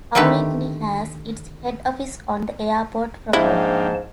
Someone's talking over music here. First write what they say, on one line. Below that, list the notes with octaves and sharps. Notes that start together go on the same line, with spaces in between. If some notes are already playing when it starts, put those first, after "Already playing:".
Aurigny has its head office on the airport property.
D3 D#3 A3 G4 B4
G#2 F3 A#3 D4 E4 F5 G5 A5